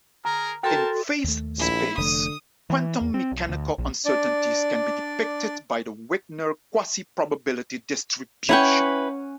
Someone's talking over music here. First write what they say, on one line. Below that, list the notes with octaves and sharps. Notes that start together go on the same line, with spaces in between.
In phase space, quantum mechanical uncertainties can be depicted by the Wigner quasi-probability distribution.
G#4 A#4 A#5
F#4 A4 A#4 C5 G5 A5 C6
D#2 A3
A#1 E4
F1 D3 A3 D#6
E3
E2
C4
B1
D2
A#1
D4 D5
C#4 E4 B4 F#5 G5 C#6